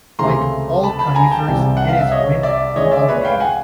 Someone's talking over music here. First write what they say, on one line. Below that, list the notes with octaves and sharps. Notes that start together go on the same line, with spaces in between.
Like all conifers it is wind pollinated.
C#2 C3 E3 A3 A#5 C6
A5 B5
A5 B5
G#5 A#5
G5 A5
C2 C3 E3
F#5
F5
E5
C#5 D#5
D5 E5
E3 G#3 C#4 C#5 D#5
D5 E5
B4 C#5
F5 G5
F#5 G#5